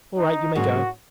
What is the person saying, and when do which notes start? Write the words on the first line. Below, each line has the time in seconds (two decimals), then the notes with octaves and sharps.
'All right, you may go!'
0.17 D#4
0.55 G#2 F#3 A#3 C#4 F#4 G#4